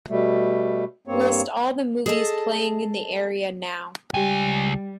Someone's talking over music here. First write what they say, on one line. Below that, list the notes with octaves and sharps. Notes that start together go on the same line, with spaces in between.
List all the movies playing in the area now.
B2 G3 A3
G2 A#3 C4 C#5
G#4 A4 D#5 G5 A5
C#2 G3 G4 G5 G#5